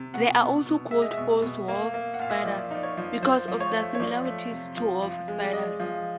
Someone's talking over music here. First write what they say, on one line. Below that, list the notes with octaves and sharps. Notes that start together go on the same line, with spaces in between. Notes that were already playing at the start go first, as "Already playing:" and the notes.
They are also called false wolf spiders, because of their similarities to wolf spiders.
Already playing: C3
B2 F#5
B2
B2
G#3 E5
D#5
B2 E5
B2
A#3
A#3
F#5
A#2 F5
E5
D#5
F3 D5
D#4 D5
C#5
F3
F3 C5
F3
C#5
A3
C#5
F3 D5
A3
C3
F3
F3
G#3
D5
G#3 D#5
F3